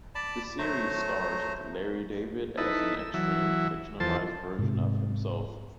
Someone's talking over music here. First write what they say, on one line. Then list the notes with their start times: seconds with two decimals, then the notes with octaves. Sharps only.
The series stars Larry David as an extreme fictionalized version of himself.
0.15 D5 A5 B5
0.59 F#3 A3 C5 A#5
2.57 D#4 E4 A4 B4
2.99 E6
3.14 E3 F#3 E5
4.00 E2 F3 A4 C5 A5
4.59 G#2 C3